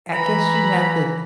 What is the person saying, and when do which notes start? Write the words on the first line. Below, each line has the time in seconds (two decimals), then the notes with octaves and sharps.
I guess you have to
0.14 E3 A#5 B5